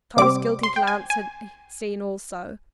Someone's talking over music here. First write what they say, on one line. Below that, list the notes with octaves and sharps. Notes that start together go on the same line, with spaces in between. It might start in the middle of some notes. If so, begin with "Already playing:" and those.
Tom's guilty glance had seen also.
C3 G3 C4 D6
C6
G5
G#5
G#5